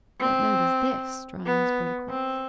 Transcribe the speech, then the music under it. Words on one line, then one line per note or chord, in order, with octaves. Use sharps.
"What note is this?" drawing his bow across.
C4
B3
C4